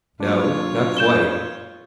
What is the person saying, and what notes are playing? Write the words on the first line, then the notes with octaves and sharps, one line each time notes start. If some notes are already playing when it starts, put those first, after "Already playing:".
"No; not quite."
F#3 A#3 D4 F4 C#5
G6 E7 G7